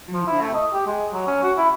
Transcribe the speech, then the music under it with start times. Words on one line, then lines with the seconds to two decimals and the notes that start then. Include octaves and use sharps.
Mm, yeah.
0.13 F3
0.27 E4
0.41 A3
0.54 D#5
0.73 G4
0.87 G#3
1.13 F#3
1.27 C#4
1.43 F#4
1.57 E4